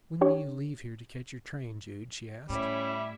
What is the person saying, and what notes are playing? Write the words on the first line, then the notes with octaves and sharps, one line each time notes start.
"When do you leave here to catch your train, Jude?" she asked.
D4 G4 C#5
A2 G3 C#4 E4 E5